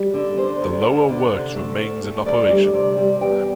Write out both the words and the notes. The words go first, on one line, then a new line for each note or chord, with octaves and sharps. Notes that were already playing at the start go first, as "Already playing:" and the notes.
The Lower works remains in operation.
Already playing: G3
D3
D3 C5
D2
D2
D3
C3
A3
D2
A3
D2 D5
G3
C3 D5
G3
E2 G5